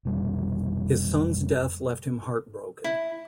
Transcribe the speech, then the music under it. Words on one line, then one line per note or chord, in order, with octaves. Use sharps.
His son's death left him heartbroken.
F1 B2 G3
E4